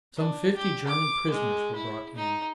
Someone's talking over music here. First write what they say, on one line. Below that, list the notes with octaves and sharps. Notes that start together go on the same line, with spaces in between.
Some fifty German prisoners were brought in.
D4
G4
D6
G#3
E4
D#4